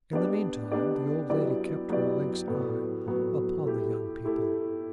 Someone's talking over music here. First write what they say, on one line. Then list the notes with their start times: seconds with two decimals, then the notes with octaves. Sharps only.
In the mean time the old lady kept her lynx-eye upon the young people.
0.13 B3 D4 G4 D5
0.72 B3 D4 G4 D5
1.30 F#3 B3 E4 G4 D5
1.89 F#3 B3 E4 G4 D5
2.48 A2 F#3 B3
3.06 A2 F#3 B3
3.65 A3 E4 G4
4.25 A3 E4 G4